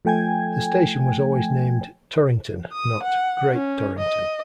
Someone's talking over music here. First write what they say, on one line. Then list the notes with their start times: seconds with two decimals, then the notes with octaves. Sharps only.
The station was always named 'Torrington', not 'Great Torrington'.
0.05 F3 A3 G5 G#5 G#6
2.73 D#6
3.03 F#5
3.54 C#4
3.99 D#5